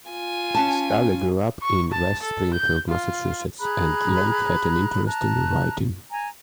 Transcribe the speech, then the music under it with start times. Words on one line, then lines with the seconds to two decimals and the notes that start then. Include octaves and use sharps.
Scully grew up in West Springfield, Massachusetts and long had an interest in writing.
0.10 F4 G#5
0.54 C#4 A5
1.62 C#6
1.92 A5
2.22 A4
2.53 G6
2.88 F4
3.60 G#4 A#5 B5 F#6
5.06 A5 A#5 F#6
6.11 G#5 A#5